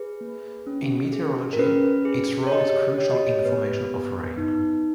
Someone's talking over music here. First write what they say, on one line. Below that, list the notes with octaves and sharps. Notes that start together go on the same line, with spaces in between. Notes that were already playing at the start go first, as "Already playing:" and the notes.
In meteorology, its role is crucial in the formation of rain.
Already playing: G#4 B4
A#3
C#4
G#4
A#4
C#4 B4
G#4
C#5
G4 D#5
G4 C#5
D#5
C#5
B3 B4
B3
D#4